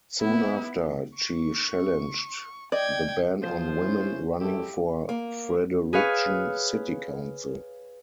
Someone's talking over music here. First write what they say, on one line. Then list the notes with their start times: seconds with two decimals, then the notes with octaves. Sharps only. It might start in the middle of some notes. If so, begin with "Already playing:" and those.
Soon after, she challenged the ban on women running for Fredericton City Council.
0.21 B3 E4
1.18 C#6
2.72 D5 D#5 G5 G#6
3.42 F3 F4 G#4 C5
3.79 C#4 E4
4.40 F#3 G#3 A3 E4 G4
5.09 A#3
5.93 G#4 B4 C#5 F5